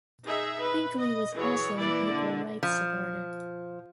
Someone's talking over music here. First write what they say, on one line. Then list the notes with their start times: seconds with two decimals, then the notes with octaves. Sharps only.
Binkley was also an equal-rights supporter.
0.25 D#4 G#4 E5
0.61 B4
0.97 D#5
1.33 E3 F#3 G#4 C#5
1.76 E3 A#3 E4 D5
2.10 D3
2.63 F3